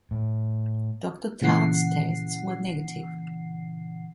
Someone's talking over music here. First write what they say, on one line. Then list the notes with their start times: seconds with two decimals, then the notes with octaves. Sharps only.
Doctor Tart's tests were negative.
0.11 A2
1.42 A#2 C#3 E3 F#5 C7